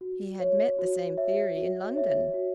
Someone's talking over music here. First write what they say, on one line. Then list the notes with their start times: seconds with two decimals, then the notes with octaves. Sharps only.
He had met the same theory in London.
0.01 F#4
0.40 C#5 E5
0.79 F#4
1.18 C#5 E5
1.57 F#4
1.96 C#5 E5
2.34 F#4